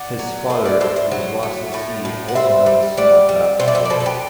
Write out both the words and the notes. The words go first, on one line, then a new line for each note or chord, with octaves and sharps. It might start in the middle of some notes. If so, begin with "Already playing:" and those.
His father, who was lost at sea, also has a cenotaph there.
Already playing: D5 F#5
F#3
A3 C5 E5
D5 F#5
A2 C5 E5
C5 E5
F#3
A3
A2
A2
F#5
G3 C5 E5
G3
G3 D5 F#5
G3
B2 C5 E5
D5
C5 E5
D5
B2 A4 C5
A4
G4 B4